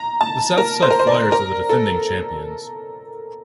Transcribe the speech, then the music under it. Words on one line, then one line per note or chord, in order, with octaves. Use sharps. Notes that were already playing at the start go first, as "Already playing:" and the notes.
The Southside Flyers are the defending champions.
Already playing: A#5
A5
A#4
C5
A#4
C5
D5
A#4
A4